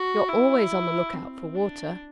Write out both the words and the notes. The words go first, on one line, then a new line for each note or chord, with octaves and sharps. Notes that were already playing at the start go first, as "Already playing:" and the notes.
"You're always on the lookout for water."
Already playing: F#4
E4
C4
D4